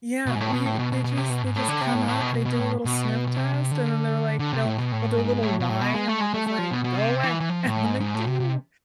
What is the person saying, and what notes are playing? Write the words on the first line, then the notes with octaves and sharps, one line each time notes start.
Yeah, we they just they just come up, they do a little sniff test, and then they're like they'll they'll do a little whine and we're just like, "Go away," and then they do,
B2
G#2
A2
B2
A2
B2
B2
B2
C3
B2
G#2
A2
D3
C3
A2
G#2
A2
B2
B2
B2
A2
B2
B2
C3
C3
D3
D3
C3
A2
B2
A2
G#2
A2
B2
A2
B2
G#3
A3
G#3
A3
A3
F3
B2
B2
C3
E3
E3
F3
A2
G#2
G#2
A2
C3
C3